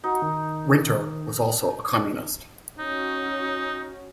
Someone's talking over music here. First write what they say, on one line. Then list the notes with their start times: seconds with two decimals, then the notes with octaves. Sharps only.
Winter was also a Communist.
0.04 D#4 F#4
0.22 D#3
2.78 C#4 D#4 F#4